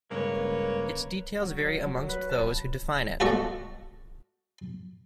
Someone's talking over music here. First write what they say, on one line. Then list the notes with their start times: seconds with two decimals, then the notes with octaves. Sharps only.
Its details vary amongst those who define it.
0.11 G2 C#3 G#3 A#3 B4 C#5
1.42 F#3
1.86 F#3
2.09 B4
2.30 A5
3.20 F4 F#4 A4 D5 D#5 C#6